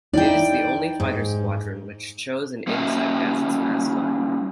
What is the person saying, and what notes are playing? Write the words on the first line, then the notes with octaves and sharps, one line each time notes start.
It is the only fighter squadron which chose an insect as its mascot.
D#4 E4 D5 G5
G#2
G3 A#3 C#4 F#4 D#5 E5